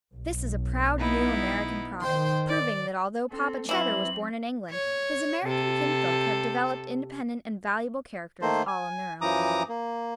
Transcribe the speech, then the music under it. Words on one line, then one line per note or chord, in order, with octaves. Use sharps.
This is a proud new American product, proving that although Papa Cheddar was born in England his American kinfolk have developed independent and valuable characters all on their own.
B1
B3 D#4 E4
D#3 C5 G5 C6
D5
C4 A4
E3 F#3 C4 E4 F#7
C#5
C3 A4
D#3 A3 A#3 C5
G#5
F#2 E3 F3 A#5 D6 D#6
A#3